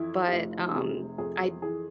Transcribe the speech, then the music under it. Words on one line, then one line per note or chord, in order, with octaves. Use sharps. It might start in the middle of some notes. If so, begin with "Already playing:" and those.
but, um, I d
Already playing: F2 E3 E4
G4
F1 F4
C3 G#4
F2 G#4
E3 G#4